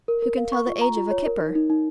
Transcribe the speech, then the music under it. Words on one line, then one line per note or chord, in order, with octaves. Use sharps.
Who can tell the age of a kipper? . . .
A#4
A#4
F5
C#6
F4
A#5
F4
C#5
A#4
D#4
D#4
D#4